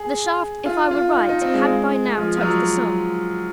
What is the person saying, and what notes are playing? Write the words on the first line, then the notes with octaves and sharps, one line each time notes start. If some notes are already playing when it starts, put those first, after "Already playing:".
The shaft, if I were right, had by now touched the sun.
Already playing: G#4
F4
F4
D#4
D#4
C4
G#3
G#3
F3
F3
F#3